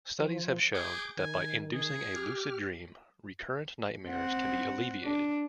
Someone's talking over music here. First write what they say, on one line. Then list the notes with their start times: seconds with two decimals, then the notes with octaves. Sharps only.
Studies have shown that by inducing a lucid dream recurrent nightmares can be alleviated.
0.19 F3
0.74 G#4 D6 G6
1.17 D#3 G#5
1.74 G#4
2.16 G4 F6
4.08 C4 F#5
5.04 D4